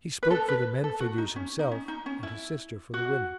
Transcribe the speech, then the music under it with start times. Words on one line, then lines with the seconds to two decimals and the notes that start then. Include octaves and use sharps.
He spoke for the men figures himself, and his sister for the women.
0.23 B4
0.30 A4
0.48 B4
0.84 A4
1.00 F#4
1.18 D#4
1.36 C#4
1.59 D#4
1.72 C#4
1.88 D#4
2.06 C#4
2.23 E4
2.94 F#4